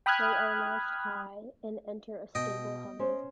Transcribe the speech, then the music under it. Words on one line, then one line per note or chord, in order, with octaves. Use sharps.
They are launched high, and enter a stable hover.
G5 B5 D#6 F6 F#6 G#6
B2 D#5 G5
C#4 C5